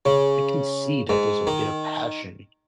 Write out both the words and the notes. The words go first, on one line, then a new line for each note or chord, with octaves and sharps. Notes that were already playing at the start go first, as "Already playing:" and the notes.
I can see that there's a bit of passion
C#3
G#2
D#3